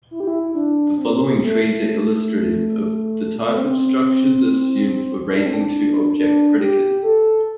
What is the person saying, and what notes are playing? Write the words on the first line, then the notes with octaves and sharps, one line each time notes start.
The following trees are illustrative of the type of structures assumed for raising-to-object predicates.
E4
G4
E4
D4
C4
A3
A3
C4
E4
D4
C4
D4
D4
G4
A4